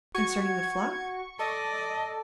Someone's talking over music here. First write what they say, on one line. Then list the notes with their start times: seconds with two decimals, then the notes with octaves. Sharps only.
Concerning the flock?
0.15 F#4 C#6 G#6
1.39 A4 D5 D#5